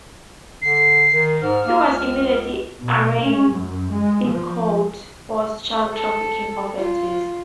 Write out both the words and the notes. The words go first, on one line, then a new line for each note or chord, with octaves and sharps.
He was immediately arraigned in court force child trafficking offences.
D3 C7
D#3
G#2 F6
A#3
C#2
B2
C#4
F#2
G#3
F3
A4
F4